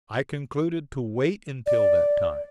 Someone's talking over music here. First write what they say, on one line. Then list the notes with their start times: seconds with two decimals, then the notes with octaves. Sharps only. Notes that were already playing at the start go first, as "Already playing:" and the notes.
I concluded to wait until that time.
1.66 D5